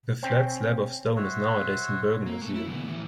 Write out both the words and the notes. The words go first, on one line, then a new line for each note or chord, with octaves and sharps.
The flat slab of stone is nowadays in Bergen Museum.
C4 C#4 G5
F#4 C5 C#5 E5
A#3
G#3 A3
E4
D2 B3
A2 E3